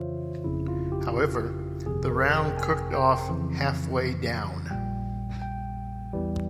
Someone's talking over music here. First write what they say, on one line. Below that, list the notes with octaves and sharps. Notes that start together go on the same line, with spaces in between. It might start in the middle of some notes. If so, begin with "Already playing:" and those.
However, the round cooked off halfway down.
Already playing: F2 C#3 E3 F4 C5 C#5 E5
G1 F2 C#3 E4
F4
G4
G1 F2 C3 G#4
A#4
G5
G#5
G5
F2 C#3 E3
A#1 A#2 G3 G5
G5
E2 E3 G3